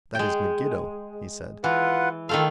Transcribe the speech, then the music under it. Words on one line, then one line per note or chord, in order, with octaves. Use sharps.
"That is Megiddo," he said.
G#3 G5
E3 F4 B4 F#5
D#3 A3 F4 A4 F5